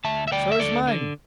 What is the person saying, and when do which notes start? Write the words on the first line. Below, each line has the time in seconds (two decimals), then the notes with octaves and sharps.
"So has mine."
0.04 D2 E5 A5
0.28 E5
0.32 D2 D5 G5
0.52 E5
0.59 D2 A4 D5
0.87 D3